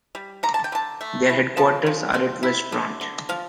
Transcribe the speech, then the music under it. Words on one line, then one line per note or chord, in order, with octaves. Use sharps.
Their headquarters are at West branch.
G3
D3 A#5
A5
G5
D3 A5
A3
E4
F3 A5
F3
C4
E4
D3
D3
F3 F5